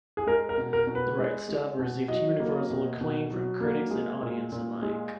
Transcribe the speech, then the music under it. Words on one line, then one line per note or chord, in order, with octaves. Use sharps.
"The Right Stuff" received universal acclaim from critics and audience alike.
G#4
G#3 A#4
A#4
B2
A#4
B2
B4
G#3
G#3
B2
F#3 D#5
A#3
B2
B2
F#3
A#3
G#3
A#2
A#2
G#3